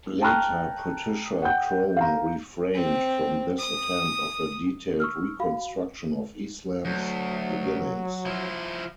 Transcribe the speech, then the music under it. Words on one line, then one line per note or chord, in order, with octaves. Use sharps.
Later, Patricia Crone refrained from this attempt of a detailed reconstruction of Islam's beginnings.
G5 A5 A#5 C#6 F6 F#6
F#5 G5 G6
F5 A#5
C4
D#6
C#6 E6 F6
F#4 F5 B5
D2 F#3
F3 E4